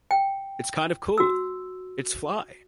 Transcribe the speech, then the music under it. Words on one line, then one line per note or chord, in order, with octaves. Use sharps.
It's kind of cool, it's fly.
G5
F#4 E6